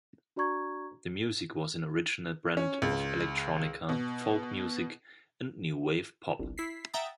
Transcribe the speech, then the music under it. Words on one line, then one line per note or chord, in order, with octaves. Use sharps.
The music was an original brand of electronica, folk music, and new wave pop.
D4 F#4 D5 A#5 C#6 G#6
C#4
C#2
B2
G1 C2
E4 B6 C7
E5 F#5 G5 A#5 D#6 A6